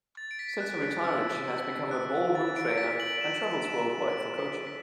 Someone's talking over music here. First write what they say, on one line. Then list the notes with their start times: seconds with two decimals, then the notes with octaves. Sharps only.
Since her retirement, she has become a ballroom trainer, and travels worldwide for coaching.
0.17 A6
0.31 D7
0.39 B6
0.61 F#6
1.04 E6
1.48 E6
1.91 F#6
2.35 A6
2.56 D7
2.70 D7
2.78 B6
3.00 F#7
3.21 E7
3.65 E7
4.09 D7
4.38 B6
4.67 B6